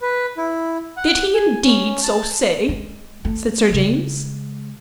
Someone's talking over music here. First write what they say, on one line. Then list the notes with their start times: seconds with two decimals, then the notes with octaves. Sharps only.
"Did he indeed so say?" said Sir James.
0.01 B4
0.37 E4
0.97 F#5
1.34 G#5
1.64 C#4
2.03 A5
2.69 G#3
3.25 A3
3.70 C#3 G#3